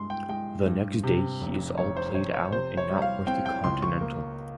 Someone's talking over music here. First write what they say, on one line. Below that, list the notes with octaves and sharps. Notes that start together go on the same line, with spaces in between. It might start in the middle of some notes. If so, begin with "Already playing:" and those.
The next day he is all played out and not worth a continental.
Already playing: G2 G#3 C6
G5
G#3 G5
G2
C3
F1
F1 C#5
C5
F1 C#5
C#5
C3 C5
C#5
G3
F5
C4 G5
G5
C#2 C6
C#6
A#3